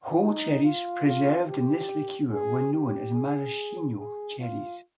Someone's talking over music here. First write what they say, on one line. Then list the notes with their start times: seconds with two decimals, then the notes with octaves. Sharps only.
Whole cherries preserved in this liqueur were known as maraschino cherries.
0.23 D#4
0.64 F4
1.06 F4
1.48 G4
2.32 G#4
2.74 G4
3.15 G#4
3.99 G#4
4.40 F4